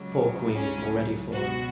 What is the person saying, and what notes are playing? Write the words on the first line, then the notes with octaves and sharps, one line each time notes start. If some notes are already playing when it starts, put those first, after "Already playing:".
Poor queen, already fallen!
Already playing: C#2 C#3 F#3
C#4
C#2 B2 F#3 F#4